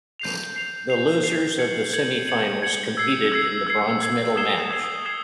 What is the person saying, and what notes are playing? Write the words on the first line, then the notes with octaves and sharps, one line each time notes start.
The losers of the semifinals competed in the bronze medal match.
G6 C7 F7
G6 C7 F7
G6 C7 F7
G6 C7 F7
G#6 C#7 F#7
G#6 C#7 F#7
G#6 C#7 F#7
G#6 C#7 F#7
E6 G#6 C7
E6 G#6 C7
E6 G#6 C7
E6 G#6 C7
D#6 G#6 C7 E7 G7
D#6 G#6 C7 E7 G7
D#6 G#6 C7 E7 G7